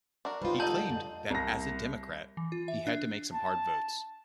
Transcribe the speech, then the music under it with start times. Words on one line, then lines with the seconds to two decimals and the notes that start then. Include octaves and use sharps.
He claimed that as a Democrat, he had to make some hard votes.
0.25 D4 F#4 A#4
0.42 G3 D#4 F4 B4 C5
0.60 A#2 D3 G#3 D#4 A4 A5 G6 F#7
0.89 F2
1.30 C2 A#6
2.37 E3
2.52 F4
2.68 E5
2.87 D4
3.33 A5